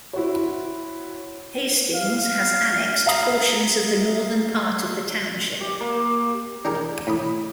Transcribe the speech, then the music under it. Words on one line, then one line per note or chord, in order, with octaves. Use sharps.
Hastings has annexed portions of the northern part of the township.
E4 F#4 C5 C#5
F5
E5 F5 A#5 D#6
G4
A#3
D4 G4 G#4 A#4
A2 B5 D#6